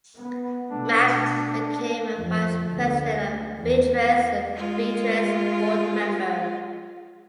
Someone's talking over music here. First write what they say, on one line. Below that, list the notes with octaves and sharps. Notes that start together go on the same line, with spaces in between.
Mack became a vice president of Beatrice and a Beatrice board member.
B3
B2 A3 D4
F2
D2
E2
G#3 F4